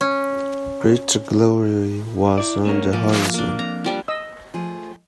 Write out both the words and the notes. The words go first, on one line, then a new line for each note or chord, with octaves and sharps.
Greater glory was on the horizon.
C#4
E4 D5
A3 C#4 A#4
F3 A#3
A#3 D4
F2 A#5
F3 G3 D4
D#5 E6
F3 A3 G#4